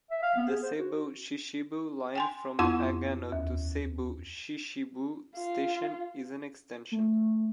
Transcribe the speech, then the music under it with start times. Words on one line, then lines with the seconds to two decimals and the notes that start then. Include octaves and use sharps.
The Seibu Chichibu Line from Agano to Seibu Chichibu Station is an extension.
0.11 E5
0.23 F5
0.37 B3
0.49 G#4
0.63 C5
0.80 F#4
2.15 G5 G#5 C6
2.59 F2 B3 E4 F4 C6 E6
3.32 D#2
5.37 F4
6.92 A3